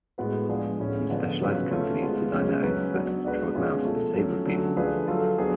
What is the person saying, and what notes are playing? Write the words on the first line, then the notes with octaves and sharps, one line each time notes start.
Some specialized companies design their own foot controlled mouse for disabled people.
A2 G#3 B3 F#4 B4
F3 G#3 D4 G#4
A2 G#3 C#4
D3 F3 B3 D4
C#3 F#3 C#4 F4 B4
A3 C#4 F4
G#3 B3 F4
C#3 G#3 C#4
F#3 C#4 F#4 B4
F#3 B3 D4
G#3 D4 F#4 B4
B2 G#3 C#4 F4 G#4
F3 A3 F4 A4
F#3 A3 C#4
D3 F#3 A3 C#4
F3 A3 D4 G#4 B4
F#3 A3 F4 A4
F#3 B3 D4 G#4